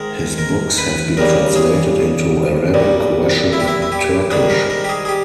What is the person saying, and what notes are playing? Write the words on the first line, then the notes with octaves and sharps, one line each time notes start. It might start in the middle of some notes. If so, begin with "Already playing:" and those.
His books have been translated into Arabic, Russian, and Turkish.
Already playing: G#2 D#3 G#3 A#4
A#4
B4
D#2 C#3 G3 A#4
G#4
B1 A#2 G3
E4
G4
E4
E4
G4
G#2 D#3 G3 G#4
A#4
A#4
G4
G#4
G#4
G4